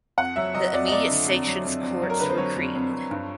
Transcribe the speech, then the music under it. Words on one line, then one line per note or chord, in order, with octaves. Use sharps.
The immediate sanctions courts were created.
F2 F#5
F#3 E5
F#3 D#5
F2 D5
D#5
F2 D5
D3
F2
F#3
F2
F2
F#3
A#4
D3 B4
C5
F#3 C#5
F2
F2
F2
G2